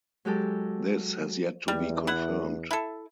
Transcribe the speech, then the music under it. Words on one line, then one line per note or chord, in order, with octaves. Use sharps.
This has yet to be confirmed.
F#3 G#3 G4 A4
E2 G3
E4 F#5
E4 A4